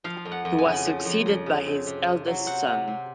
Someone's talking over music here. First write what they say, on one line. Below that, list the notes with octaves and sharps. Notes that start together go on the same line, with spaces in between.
He was succeeded by his eldest son.
F3 F5
F2
F#5
F2
G#5
C#3
F3
F2
F2
C#3
C4
C3
C3
F#3
C4 F#5
C3
C3